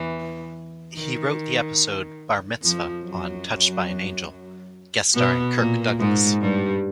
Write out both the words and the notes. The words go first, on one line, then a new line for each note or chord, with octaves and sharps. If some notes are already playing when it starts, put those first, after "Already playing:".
He wrote the episode 'Bar Mitzvah' on "Touched by an Angel", guest-starring Kirk Douglas.
Already playing: E2 E3
D#3
F2 F3
F#2 F#3
B2 B3
A#2 A#3
G#2 G#3
G2 G3